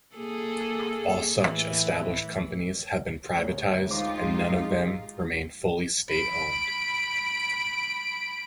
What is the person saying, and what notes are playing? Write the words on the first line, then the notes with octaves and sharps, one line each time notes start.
All such established companies have been privatised and none of them remain fully state-owned.
A#3 G#4 A4
A2 E3
D2 C#5
G#3 D#4 F4 G4 C5 D6
G#3
B5 D7